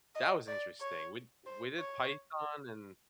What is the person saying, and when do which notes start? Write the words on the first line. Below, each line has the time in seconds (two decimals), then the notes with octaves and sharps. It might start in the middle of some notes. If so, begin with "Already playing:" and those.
that was interesting. We d we did python and
0.15 D#5
0.48 D5
0.81 C#5
1.46 C5
1.78 C#5